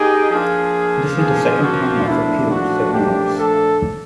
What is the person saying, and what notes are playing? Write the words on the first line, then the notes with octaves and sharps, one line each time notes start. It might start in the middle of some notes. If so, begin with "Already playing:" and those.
"This is the second time I've appealed," said Norris.
Already playing: A#3 D#4 G4 G#4
F3 A#3 D4 F4 G#4
G#4
F#4
A#2 F3 A3 D4 E4
F#4
G4
A4